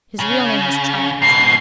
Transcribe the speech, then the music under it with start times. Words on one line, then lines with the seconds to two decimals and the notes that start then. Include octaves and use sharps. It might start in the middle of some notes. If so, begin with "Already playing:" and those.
His real name was Childs.
0.20 C#3
1.22 G#2 B2 C7